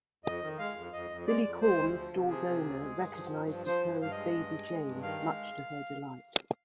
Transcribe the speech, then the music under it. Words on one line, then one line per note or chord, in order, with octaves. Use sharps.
Billy Korn, the store's owner, recognizes her as Baby Jane much to her delight.
F2 D#5
D#3
G#3 F5
F2
F2 D#5
F2
G#3 D5
F2
G#3 C5
D2
F3
C3
F3 G#4
C3
D2
G#3
G2
F3
G2
F3
F3 C5
G2
G2 F5
D#5
G#3
G2
G#3
G#3
G2
D#3 F5
G#3